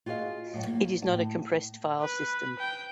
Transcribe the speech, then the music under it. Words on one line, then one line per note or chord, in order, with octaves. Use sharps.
It is not a compressed file system.
F4 F#4 G#4 D#5 F5
A2 F#3
A#3
A2 A5
B4
G5